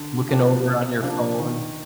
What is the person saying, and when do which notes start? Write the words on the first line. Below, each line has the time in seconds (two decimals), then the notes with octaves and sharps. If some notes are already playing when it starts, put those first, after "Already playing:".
looking over on your phone.
Already playing: D3
0.29 F3 A#3 D4 G4
0.66 C3
1.03 F3 A#3 D4
1.40 D#3